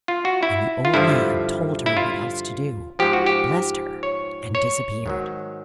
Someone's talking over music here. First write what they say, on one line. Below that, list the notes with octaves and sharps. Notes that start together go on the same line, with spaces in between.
And the old man told her what else to do, blessed her, and disappeared.
F4
F#4
E4
F4
G2 D3 F3 E4
E4
F4
G#2 F3 G4
F#4
G4
C#5
C#5
G#2 D#3 F#3